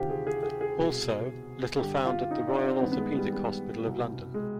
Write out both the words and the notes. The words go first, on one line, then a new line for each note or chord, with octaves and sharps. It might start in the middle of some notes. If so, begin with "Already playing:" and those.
Also, Little founded the Royal Orthopaedic Hospital of London.
Already playing: D2 C3 D#3 F4 G4
G#4
G#4
G#4
G#4
C2 B2
G2 D3 G4
F4
D#4
D4
C4
G2 D#3 B3
B3
G#3
G3
G3
C2 B2
G#3